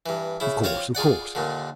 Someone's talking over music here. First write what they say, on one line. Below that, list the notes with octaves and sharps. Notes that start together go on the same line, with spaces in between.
'Of course, of course.
G2 E3
C#3 E4
C4 F4 C5 C#5 F5
F4 G#4 D5 F#5
D#2 A#2 D3